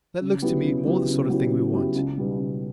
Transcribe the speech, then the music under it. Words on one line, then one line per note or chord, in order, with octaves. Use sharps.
That looks to me more the sort of thing we want.
C#3
F#3 B3 E4 G4
C#3
F#3 B3 E4 G4
C#3
F#3 B3 E4 G4
C#3
F#3 B3 E4 G4
C#2
B2 G3 B3 D#4
C#2